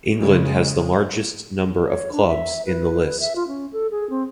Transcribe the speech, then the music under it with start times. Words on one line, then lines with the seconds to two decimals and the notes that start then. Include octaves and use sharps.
England has the largest number of clubs in the list.
0.20 C#3 G#3
1.85 C#5
2.12 D4
2.27 E5
2.66 B4
3.20 E5
3.36 F4
3.48 C#4
3.73 A4
3.91 G#4
4.10 C4